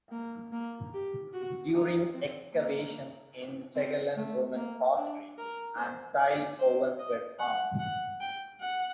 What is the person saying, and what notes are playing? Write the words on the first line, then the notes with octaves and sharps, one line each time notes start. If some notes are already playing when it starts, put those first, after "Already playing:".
During excavations in Tegelen Roman pottery and tile ovens were found.
A#3
A#3
G4
F#4
D#4
C4
A#3
C4
A3
A#3
D4
A#4
C5
D5
C5
D#5
F#5
F#5
G5
F#5